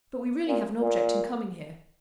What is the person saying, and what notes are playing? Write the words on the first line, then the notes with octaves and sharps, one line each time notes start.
But we really have an object in coming here.
A#2
A#2